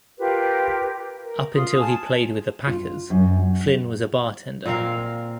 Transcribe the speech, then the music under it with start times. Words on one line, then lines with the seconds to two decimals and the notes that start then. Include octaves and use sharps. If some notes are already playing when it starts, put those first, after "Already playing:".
Up until he played with the Packers, Flinn was a bartender.
0.18 F4 G4 A#4 B4
1.24 A#4
1.55 F4 C6 D#6
1.78 G#5 A5
2.67 F4
3.10 F#2
3.37 F#5
4.66 A#2 C4 A#4 F5